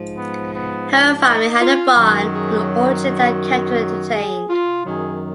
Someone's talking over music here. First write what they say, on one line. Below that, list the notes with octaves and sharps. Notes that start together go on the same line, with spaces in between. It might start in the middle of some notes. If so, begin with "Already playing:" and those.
Her family had a barn and orchard that kept her entertained.
Already playing: G#2 F3
B3
B3
D4
D#4
F4
F#2 D#3 F#3
G#4
A#4
G#4
F4
F#2 D#3 F#3 G#4